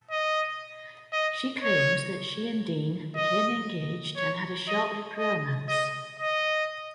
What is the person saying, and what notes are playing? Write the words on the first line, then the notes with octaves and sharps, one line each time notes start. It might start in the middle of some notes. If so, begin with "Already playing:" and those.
She claims that she and Dean became engaged and had a short-lived romance.
D#5
D#5
C#5
D#5
C#5
D#5
D#5
D#5
D#5